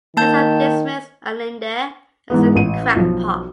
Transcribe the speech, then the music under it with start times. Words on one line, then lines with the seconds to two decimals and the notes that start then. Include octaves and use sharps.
Jessup dismissed Allende as a crackpot.
0.17 D#3 A#3 A5 G6
2.30 G#2 E3 B3
2.55 A1 D#7
2.96 B1 F3